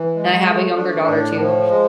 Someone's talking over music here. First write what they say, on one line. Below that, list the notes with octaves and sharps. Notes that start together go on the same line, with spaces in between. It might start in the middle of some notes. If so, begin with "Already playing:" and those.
and I have a younger daughter too.
Already playing: E3
G#3
A3
D4
A2
F3
G#3